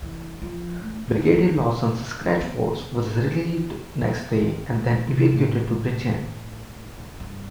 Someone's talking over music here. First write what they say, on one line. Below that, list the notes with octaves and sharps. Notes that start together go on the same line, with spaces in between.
Brigadier Lawson's scratch force was relieved next day and then evacuated to Britain.
E3
F3
A3
B3
C4
C4
B3
B3
B3
C4
B3
C3
A2
G2